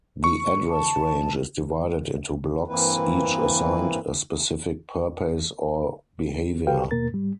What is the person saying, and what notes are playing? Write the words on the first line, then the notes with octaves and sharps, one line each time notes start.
The address range is divided into blocks each assigned a specific purpose or behavior.
C#6
A5
G2 E3 A#3 C4 E4 B4
F#4 G4 A4 B4 F5 G5
D#2 B2 A#3 A#4 A6
G#2 G3